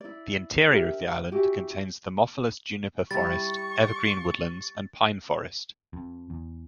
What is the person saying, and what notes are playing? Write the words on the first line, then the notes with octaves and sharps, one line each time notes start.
The interior of the island contains thermophilous juniper forest, evergreen woodlands and pine forest.
E4 D5
D4 G4 A#4 E5
E4 F#4 G4 G#5
G3 E4 C#6 A6
F2
E2